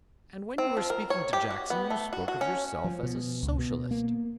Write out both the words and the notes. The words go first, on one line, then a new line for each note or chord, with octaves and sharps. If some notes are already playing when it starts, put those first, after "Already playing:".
'And when you were speaking to Jackson, you spoke of yourself as a Socialist.'
C4
F3
A#4
C#5
G4
F#4
B3
A3
F#4
F#4
C#4
F3
B2
C#2
B2
A#3